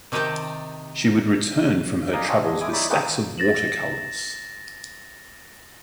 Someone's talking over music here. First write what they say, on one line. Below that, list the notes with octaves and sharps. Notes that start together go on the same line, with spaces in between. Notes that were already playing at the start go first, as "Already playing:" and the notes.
She would return from her travels with stacks of water colours.
C3 D#3 D#4 G4 G5 A5
A#4 D5 D#5 F5 G#5 A#5
C4 D4 F4 F#4 D#5 G#5
D4 D#5
G#3 E4 G#5 D6 D#6
D#4 E4 C#5 D5 B5
A3 A#3 C4 D#4 G#4 B4
A6 A#6 E7 F#7